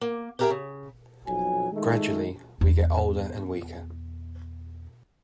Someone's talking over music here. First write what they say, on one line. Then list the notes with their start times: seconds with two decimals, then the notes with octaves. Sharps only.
Gradually we get older and weaker.
0.01 A#3
0.39 G4 G#4 A#4 D5 E5 G5
0.50 C#3
1.27 B1 F2 F#3 G#5
1.73 D#3 G#3 A3 D#4
2.61 E2 B3